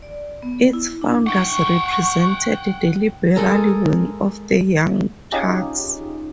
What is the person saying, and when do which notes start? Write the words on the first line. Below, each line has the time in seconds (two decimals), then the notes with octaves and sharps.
Its founders represented the liberal wing of the Young Turks.
0.02 D5
0.42 B3
0.73 E4
1.02 D4
1.27 F#5 G5 C#6
3.36 G#3 A4 A#4
5.32 C#4 D#4 F4 G4 G#4